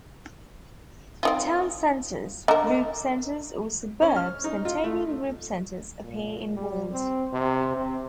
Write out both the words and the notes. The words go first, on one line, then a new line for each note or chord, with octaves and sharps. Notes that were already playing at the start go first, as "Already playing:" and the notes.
"Town centres", "Group Centres", or suburbs containing group centres, appear in bold.
C4 D#4 F4
D3 A#4 D#5 A#5 D6
C#4
F6
D#4
F4
A3
A#2
G3
C4
C3
C4